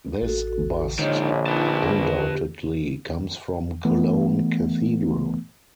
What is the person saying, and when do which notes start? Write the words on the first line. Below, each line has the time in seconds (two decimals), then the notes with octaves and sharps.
This bust undoubtedly comes from Cologne Cathedral.
0.22 A1 F#4 A4
0.99 A#1 G#2 D3 D#3 C#5 D#5
1.46 D#4 F4 B4 F5 A5
1.81 G#4
2.16 G4
3.85 E3 A3 B3